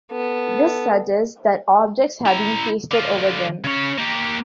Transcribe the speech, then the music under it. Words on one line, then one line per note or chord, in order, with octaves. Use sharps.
This suggests that objects have been "pasted" over them.
B3 A4
E4 A#5
D3 F4
C#3 C#4
A#3 G4